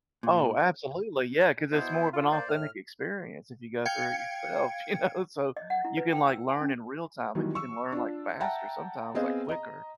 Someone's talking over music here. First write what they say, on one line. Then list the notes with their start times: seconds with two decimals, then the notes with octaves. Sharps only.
Oh, absolutely. Yeah, 'cause it's more of an authentic experience if you go through it yourself, you know? So you can, like, learn in real time, and you can learn, like, faster sometimes, like, quicker
0.23 A#2
1.72 B2 B3 E4 C5
2.13 F4
2.32 A#3 C5 D5
2.49 A2 F6
3.85 F5 G5 G#6 C#7
5.57 D#5
5.70 F#5
5.85 E4
5.97 B4
6.12 G5
6.28 E6
6.49 G#5
6.61 C#4
7.35 D#3 E3 F#3 G3
7.55 C#6 E6
7.92 D4 F4
8.40 E5 F#5 G5 A5 A#5
9.15 B3 C4 G#4 D#5 F5
9.49 D#5 A#5